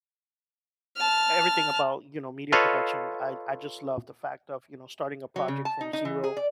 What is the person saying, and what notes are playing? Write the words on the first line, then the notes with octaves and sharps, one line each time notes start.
everything about, you know, media production I I just love the fact of, you know, starting a project from zero,
A5 F6
F4 A4 B4 C#5 D#5 F5
F#3
C#3
A5
D#4
D#4
E3
G#4
D5